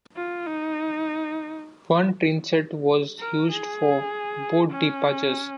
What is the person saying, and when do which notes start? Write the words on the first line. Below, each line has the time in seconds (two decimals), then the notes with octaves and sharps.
One trainset was used for both departures.
0.16 F4
0.47 D#4
3.19 A#4
3.50 G#4
4.71 C#4